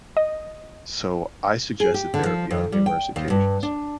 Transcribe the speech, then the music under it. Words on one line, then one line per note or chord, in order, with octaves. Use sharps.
So, I suggested therapy on numerous occasions,
D#5
G#4
G4
D3
F3
F2
G3
G5
D#2
G2
D4